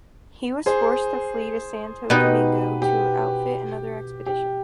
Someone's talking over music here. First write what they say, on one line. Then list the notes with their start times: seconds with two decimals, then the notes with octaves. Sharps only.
He was forced to flee to Santo Domingo to outfit another expedition.
0.66 G#4 C5
2.10 B2 B3 D#4 G4 B4
2.82 G4
4.26 G4